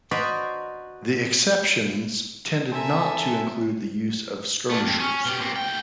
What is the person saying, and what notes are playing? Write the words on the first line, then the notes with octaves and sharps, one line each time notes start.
The exceptions tended not to include the use of skirmishers.
F#4 C5 D5 D#5 A#5 B5
C4 A4 A#4 E5 G#5
A3 D4
F2
C#4
B2 G4
A#2 C4
D2 G5